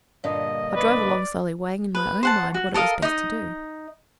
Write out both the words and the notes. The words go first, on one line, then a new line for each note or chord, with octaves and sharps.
I drove along slowly, weighing in my own mind what it was best to do.
G2 A#2 D3 D#5
B4 D5
B4
C5 F#5 A5
F#4
A4 A#4 D#5 F5
D#4 D#5